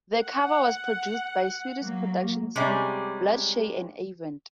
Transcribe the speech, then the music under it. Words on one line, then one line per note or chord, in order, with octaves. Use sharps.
The cover was produced by Swedish production team Bloodshy and Avant.
F#5
F#3 A#3
C3 G3 G#3 C#4